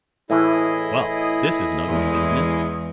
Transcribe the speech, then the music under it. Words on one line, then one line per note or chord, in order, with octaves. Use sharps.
'Well! this is an ugly business!
A2 E3 A3 E4 G#4 D#5
E2 G#3